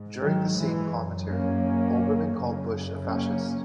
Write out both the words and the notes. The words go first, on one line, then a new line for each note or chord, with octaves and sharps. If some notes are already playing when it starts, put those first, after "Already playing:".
During the same commentary, Olbermann called Bush a fascist.
Already playing: G#2
D#3 F#3
E3 G#3
F#2 C#3
A#3 C#4
F#2 C#3
A#3 C#4